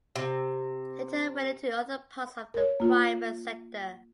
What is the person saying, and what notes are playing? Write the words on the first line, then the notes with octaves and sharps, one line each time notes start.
He later went into other parts of the private sector.
C3
A#4 C#5
A#3 F4